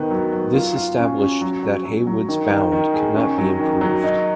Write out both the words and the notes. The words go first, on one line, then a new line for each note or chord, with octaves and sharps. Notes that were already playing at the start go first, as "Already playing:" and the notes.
This established that Heawood's bound could not be improved.
Already playing: D#3 B3
F#3
F#3
F4
F4
C#4
C#4
F#3
F#3
F#3
F#3
D#3
D#3
D#3
G#4
C#4
F#3
D#3
F#3
D#4